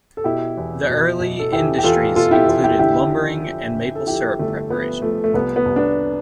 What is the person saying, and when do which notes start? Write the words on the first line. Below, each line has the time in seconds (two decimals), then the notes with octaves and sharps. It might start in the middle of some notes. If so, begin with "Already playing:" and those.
The early industries included lumbering and maple syrup preparation.
0.17 A4
0.24 B2 E4 G4
0.57 E2
0.89 B2
1.20 B2
1.39 A4
1.52 E2 E4 G4
1.78 G4
1.83 E2 F4 A4
2.16 B2 F4 A4
2.31 E4 G4
2.48 E2 F4 A4
2.64 E4 G4
2.79 D3 E4 G4
3.12 F3
3.43 F3
3.75 D3
3.95 A4
4.06 F3 E4 G4
4.39 G1 A3
4.70 F3 B3
5.02 F3 A3
5.24 A3
5.34 C2 B3
5.56 B3
5.66 C2
5.76 B3 D4